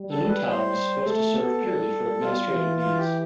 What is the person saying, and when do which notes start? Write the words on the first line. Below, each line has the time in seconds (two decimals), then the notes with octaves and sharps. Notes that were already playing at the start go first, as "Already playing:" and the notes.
The new town was supposed to serve purely for administrative needs.
Already playing: G3
0.10 A4
0.29 B4
0.48 C5
1.05 A3 A4
1.34 B3
1.63 G3
2.21 G3 F4
2.49 E3
2.78 F4
2.97 G4